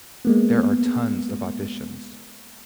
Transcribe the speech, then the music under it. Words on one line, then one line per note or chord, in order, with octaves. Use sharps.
There are tons of auditions.
G#3 A#3 B3